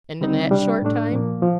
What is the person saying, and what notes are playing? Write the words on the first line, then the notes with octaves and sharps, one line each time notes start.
And in that short time!
D3 G3 C4 D#4
C3 G3 D4
A2 A3 D4
A#2 F3 A#3
F3